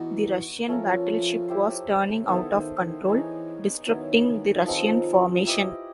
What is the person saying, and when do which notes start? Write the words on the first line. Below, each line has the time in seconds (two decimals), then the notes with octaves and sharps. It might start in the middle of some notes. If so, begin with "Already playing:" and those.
The Russian battleship was turning out of control, disrupting the Russian formation.
Already playing: E3 B3 D#4 F#4
0.68 F3 A3 C#4 F4 A#4
1.48 E4 G4 C5
2.28 D#3 B3 E4 A4 C5
2.54 D#3
2.81 D#3
3.07 E3 D#4 G#4 C#5
3.87 D#3 F#3 B3 E4
4.66 F3 G#3 C4 D#4
5.47 E4 G4 B4 D#5